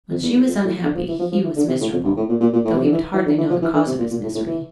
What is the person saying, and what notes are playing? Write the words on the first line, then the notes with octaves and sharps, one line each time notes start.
When she was unhappy he was miserable, though he would hardly know the cause of his misery.
F2
E2
E2
F2
A2
D3
F3
E3
F3
F3
E3
D3
C3
A2
F2
G2
A2
A#2
A#2
A#2
A2
C3
D3
E3
E3
D3
E3
F3
E3
D3
C3
A#2
A#2
A2
A2
E3